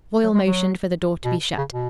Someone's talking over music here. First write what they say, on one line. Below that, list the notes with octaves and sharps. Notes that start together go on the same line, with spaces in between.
Foyle motioned for the door to be shut.
F#3
G#3
F#3
B2
C#3
B2